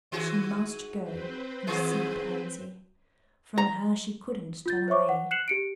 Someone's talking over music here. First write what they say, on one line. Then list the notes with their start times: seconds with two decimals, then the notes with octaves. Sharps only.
She must go and see Pansy; from her she couldn't turn away.
0.12 D#3 F#4 G#4
1.02 C4 B4 C5
1.67 D#3 F3 G#4
3.58 A#5
4.66 F4 G6 A6
4.88 C5 C#5 E5 C#6 D6
5.09 F#5
5.31 F#6 C7 C#7 E7 F#7
5.48 G4 C#7 D7